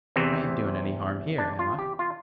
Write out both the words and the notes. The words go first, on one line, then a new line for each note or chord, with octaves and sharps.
'I ain't doing any harm here, am I?'
E2 C3 E3 C4
D4
F4
G4
F4